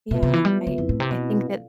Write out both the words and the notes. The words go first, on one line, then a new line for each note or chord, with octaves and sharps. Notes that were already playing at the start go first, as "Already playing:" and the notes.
Yeah, I I think that
B2 B3 F4 B4 E5
C3
E3
G3
D3
F2 C4 E4 B4
A2
C3
B2
F4 A4 D5 F5